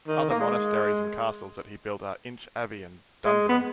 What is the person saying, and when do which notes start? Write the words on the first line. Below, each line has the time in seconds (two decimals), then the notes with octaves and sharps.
Other monasteries and castles that he built are Inch Abbey and Dundrum.
0.08 D#3
0.30 A#3
0.40 G#3
3.26 G#3
3.49 B3